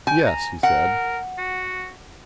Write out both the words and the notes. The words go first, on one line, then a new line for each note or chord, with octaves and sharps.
"Yes," he said.
G5 G#5
A#5
A#4 F#5
F#4